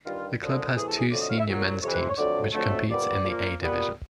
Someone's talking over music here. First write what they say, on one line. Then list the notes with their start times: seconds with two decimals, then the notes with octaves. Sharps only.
The club has two senior men's teams which competes in the A division.
0.05 G2 D#3 G3 F4
0.40 F#2 D3 F3 G#3
0.76 E2 C3 E3 A3 G#4
0.87 A4
0.98 G#4
1.11 F2 D3 F#3 A3 D5
1.21 D#5
1.30 F5
1.38 E5
1.47 C2 A#2 F#3
1.82 F2 C3 E3 C#5
1.91 B4
2.00 C5
2.09 C#5
2.18 F2 D3 F#3 A3 D5
2.53 F2 D3 F#3 A3
2.89 C2 A#2 G3 B3 D5
3.25 A#2 F3 A#3
3.61 A#2 G3 B3